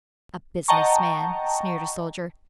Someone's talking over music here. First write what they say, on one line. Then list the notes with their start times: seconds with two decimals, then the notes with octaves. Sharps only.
"A business man," sneered a soldier.
0.68 D#5 F#5 G5 A5 A#5 C#6